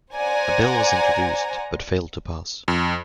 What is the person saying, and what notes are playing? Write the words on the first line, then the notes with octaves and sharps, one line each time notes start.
A bill was introduced, but failed to pass.
C5 D5 F#5 G#5 A#5
F2